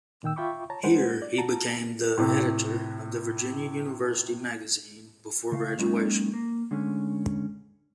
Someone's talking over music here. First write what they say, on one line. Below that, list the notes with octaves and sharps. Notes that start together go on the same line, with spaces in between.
Here he became the editor of the Virginia University Magazine before graduation.
A#2 D#3 G5 E6
F4 E5 G5 B5 C#6 D6
C#5 A5 A#5
G3 G#3 G#4 B4 C5 F#5
D5
F#4 A5 A#5
A2 C3
C#3 A3 F5
F#3 G#3 A#3 C4 C#4 D#4
A#3
D3 G#3 A3 C#4